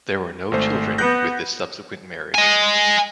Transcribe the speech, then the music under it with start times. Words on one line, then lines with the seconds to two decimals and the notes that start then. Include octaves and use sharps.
There were no children with this subsequent marriage.
0.52 G#1 A3 C5
0.98 B3 F#6 G6 A#6
2.34 D#5 G#5